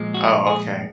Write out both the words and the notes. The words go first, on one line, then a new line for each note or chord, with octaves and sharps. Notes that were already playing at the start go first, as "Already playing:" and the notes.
Oh, okay.
Already playing: A#2 F3 G#3
F#4
G#4